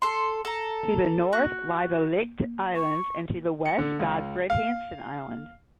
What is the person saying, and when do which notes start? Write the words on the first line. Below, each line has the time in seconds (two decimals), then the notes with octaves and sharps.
To the north lie the Licht Islands and to the west Godfred Hansen Island.
0.02 A4 C6
0.45 A4 A#5
1.33 F#4
2.76 C#6
3.65 C#7
3.78 D3
3.99 C#2
4.50 F5